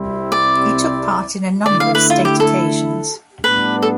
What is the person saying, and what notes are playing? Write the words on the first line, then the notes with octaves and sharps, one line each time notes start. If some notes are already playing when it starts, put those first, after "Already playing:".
He took part in a number of state occasions.
Already playing: C2 C3 G3 C4 E4
D5
D3 A3 E4 D5
F5
B4
F4
G4
A4
A2 G3 B3 D4 B4
A4